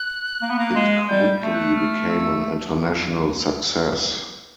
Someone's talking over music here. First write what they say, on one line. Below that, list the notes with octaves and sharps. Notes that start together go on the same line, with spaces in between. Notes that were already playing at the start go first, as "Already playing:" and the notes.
It quickly became an International Success.
Already playing: F#6
A#3
B3
A#3
G#3
G3 G6
G6
A3
F#6
F6
E6